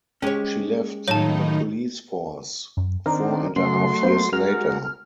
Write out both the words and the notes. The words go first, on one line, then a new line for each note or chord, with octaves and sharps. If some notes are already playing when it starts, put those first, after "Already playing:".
She left the police force four and a half years later.
G#3 C#4 G4 C#5
A2 D#3 F#3 D#4 F4 C#5 A5
F#2
D#3 C4 D4 A#4
C#3 F#3 A3 C6
A#3 B3 C5
G#3 F#4 A#4 F6